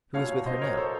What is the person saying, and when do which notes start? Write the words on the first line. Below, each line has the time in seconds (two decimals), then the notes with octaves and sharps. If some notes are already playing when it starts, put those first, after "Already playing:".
"Who is with her now?"
0.14 C2 A#2 F#3 C#5 F5
0.46 C5 D#5
0.61 A#4 C#5
0.77 A4 C5